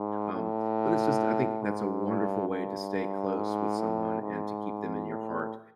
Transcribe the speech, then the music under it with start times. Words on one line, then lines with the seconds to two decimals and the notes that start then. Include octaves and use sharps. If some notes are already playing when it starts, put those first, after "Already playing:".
Um, but it's just I think that's a wonderful way to stay close with someone and to keep them in your heart.
Already playing: G#2
0.33 A2
1.62 G#2
2.06 G2
2.49 G2
3.35 G#2
3.78 A2
4.21 G#2
5.08 A2